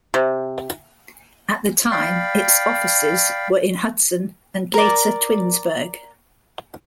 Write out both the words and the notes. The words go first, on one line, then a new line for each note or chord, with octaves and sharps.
At the time its offices were in Hudson, and later, Twinsburg.
C3
D5 F5 G5 B5
A#4 D5